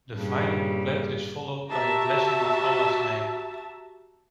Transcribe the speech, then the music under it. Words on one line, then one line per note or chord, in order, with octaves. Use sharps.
The final couplet is followed by a blessing of Allah's name.
G2 A#2 C#3
F#4 G4 E5 A5 A#5